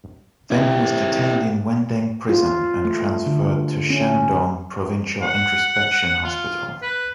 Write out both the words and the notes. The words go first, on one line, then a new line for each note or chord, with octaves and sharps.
Then he was detained in Wendeng prison and transferred to Shandong Provincial introspection hospital.
E4 G4
F4
A3
D3
C#4
F#5
F4
B4